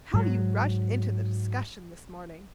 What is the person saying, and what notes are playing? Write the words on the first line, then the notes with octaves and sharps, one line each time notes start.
How you rushed into the discussion this morning!
G#2 F#3